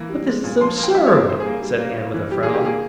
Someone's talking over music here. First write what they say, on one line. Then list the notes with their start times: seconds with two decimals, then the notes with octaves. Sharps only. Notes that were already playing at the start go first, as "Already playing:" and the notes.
"But this is absurd!" said Ann with a frown.
Already playing: E3 A#3
0.09 G3
0.26 G#3
0.44 A#2
0.61 F3 C6
0.78 A#3
0.83 G5
0.95 G3 E5
1.06 C#5
1.12 A#3
1.17 C#5
1.29 G3 C5
1.40 G#4
1.46 A#3
1.63 G3
1.80 A#3
1.97 A#3
2.14 E3
2.31 G3 G4
2.43 G#4
2.48 A#3
2.54 G4
2.65 A#3 G#4